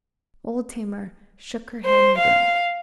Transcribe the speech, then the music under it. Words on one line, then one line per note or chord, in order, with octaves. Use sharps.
Old Tamar shook her head and groaned.
C5
F5